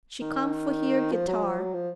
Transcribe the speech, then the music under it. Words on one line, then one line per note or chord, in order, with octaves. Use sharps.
She come for hear guitar.
D#3
F3
F#3
F3
F#3
F3